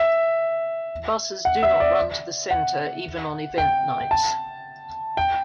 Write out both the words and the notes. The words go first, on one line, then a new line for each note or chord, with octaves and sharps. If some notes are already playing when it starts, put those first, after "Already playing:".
Buses do not run to the centre even on event nights.
Already playing: E5
F#5
E5
D5
F#5
G5
A5
G5